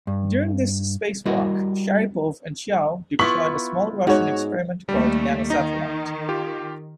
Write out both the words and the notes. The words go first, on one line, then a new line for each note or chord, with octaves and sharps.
During this spacewalk, Sharipov and Chiao deployed a small Russian experiment called Nanosatellite.
G2
G3 E4 F#4 A#4 D#5
B3 E4 F4 C#6 B6 F#7
G#2 F#4 C#5
D#2 G3 A3
D#3 D#4 A#6
F4 G4